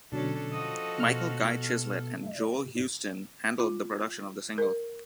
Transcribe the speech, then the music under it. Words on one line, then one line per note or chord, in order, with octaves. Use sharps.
Michael Guy Chislett and Joel Houston handled the production of the single.
B2 D3 F#3 C#4 D4 A4
F3 F#4 D#5 D#6
B2 F6
F4
A#4